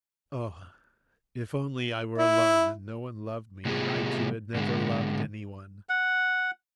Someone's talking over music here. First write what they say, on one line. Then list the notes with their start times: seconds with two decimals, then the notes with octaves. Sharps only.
Oh, if only I were alone and no one loved me and I too had never loved anyone!
2.18 E4
3.65 A2 C3 G3 B3 F4 G#4
4.55 G#2 D3 G#3
5.89 F#5